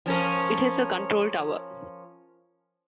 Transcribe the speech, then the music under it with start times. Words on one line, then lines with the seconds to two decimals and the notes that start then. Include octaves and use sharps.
It has a control tower.
0.06 F3 C#4 A#4